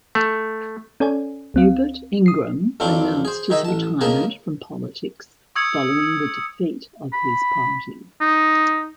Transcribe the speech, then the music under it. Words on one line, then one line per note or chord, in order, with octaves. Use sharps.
Hubert Ingraham announced his retirement from politics following the defeat of his party.
A3
C#4 A4 C#5 D5 G#5
C#2 C4 F5
D#6 C7
F2 E3 F#3 C4 D4 F4
G#4 C5
D#3 D#4 G#4 D#5 E5
A1 A5
C#2 C#3 A#3 G#4 A#4 A5
C#6 D#6 E6 G#6 C#7
B5
D#4